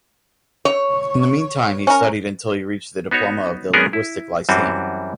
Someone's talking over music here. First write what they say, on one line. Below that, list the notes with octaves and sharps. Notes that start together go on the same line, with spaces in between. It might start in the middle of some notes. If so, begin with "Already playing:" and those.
In the meantime he studied until he reached the diploma of the Linguistic Lyceum.
C#5
C#4 A#4
B3 D#4 F#4 C#5
G#3 B3 C#4 D4 G#4 A#4
E4
F#2 E3 G3 C4 F#4